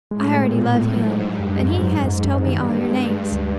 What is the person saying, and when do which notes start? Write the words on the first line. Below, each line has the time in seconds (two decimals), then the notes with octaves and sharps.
I already love him, and he has told me all your names.
0.11 A2 G#3
0.33 G#3
0.40 A#2
0.54 B3
0.68 A2
0.75 G#3
0.96 G#2 F#3
1.18 F#3
1.25 G2
1.40 F#2
1.53 G#2
1.61 F#2
1.82 G#2 F#3
2.03 F#2
2.11 G#2
2.25 F#2
2.39 G2
2.46 D#3
2.67 G#3
2.89 G#3
3.10 G#3
3.32 D2